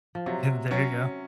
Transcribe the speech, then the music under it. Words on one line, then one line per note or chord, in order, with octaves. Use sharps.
Yeah, there you go.
F3
C3 F#3
F#3 C#4